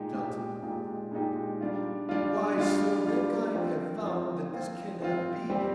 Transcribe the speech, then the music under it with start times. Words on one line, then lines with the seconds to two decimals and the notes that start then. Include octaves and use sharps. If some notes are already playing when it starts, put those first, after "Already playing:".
JOHNSON. 'Why, Sir, mankind have found that this cannot be.
Already playing: A#2 G#3 D#4 G4
0.14 A#2 G#3 D#4 G4
0.62 A#2 G#3 D#4 G4
1.12 A#2 G#3 D#4 G4
1.61 G3 D4 F4
2.09 G3 D4 F4
2.58 G3 D4 F4
3.06 G3 D4 F4
3.54 F3 C4 F4
4.04 F3 C4 F4
4.52 F3 C4 F4
5.01 F3 C4 F4
5.50 G3 C4 G4